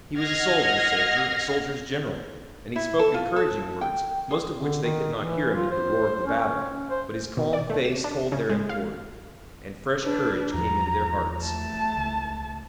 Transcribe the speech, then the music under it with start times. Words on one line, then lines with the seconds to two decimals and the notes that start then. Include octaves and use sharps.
He was a soldier's soldier, a soldier's general, and he spoke encouraging words, most of which they could not hear amid the roar of the battle, but his calm face told their import, and fresh courage came into their hearts.
0.19 D#5 F#5 F6 G#6 A#6 C7
2.76 E4
2.99 A4
3.14 F4
3.36 A4
3.81 G5
4.31 G#4
4.59 D3
4.83 D#3
5.18 E3
5.55 F4
5.71 C5
6.26 C#4
6.90 C5
7.37 B2
7.53 D5
7.70 A3
7.85 E7
8.04 D4
8.32 C#3
8.49 G#3
8.69 F5
10.03 D4 B4
10.54 E2 F3 A#5
11.41 A3 A5
11.97 C#2